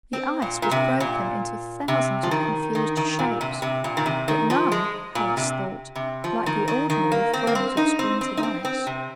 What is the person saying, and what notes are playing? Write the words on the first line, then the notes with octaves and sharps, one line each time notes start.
The ice was broken into thousands of confused shapes, but none, Hans thought, like the ordinary forms of splintered ice.
C4
A#2
A#2
C3
A#2
C3
F3
D#3
D#3
D#3
A#2
C3
C3
A#2
D#3
C3
D#3
F3
G#3
A#2
C3
C3
F3
D#3
D#3
D#3
A#3
C4
A#3
C4
D#4
C4
C4
D#4
C4
C4
C3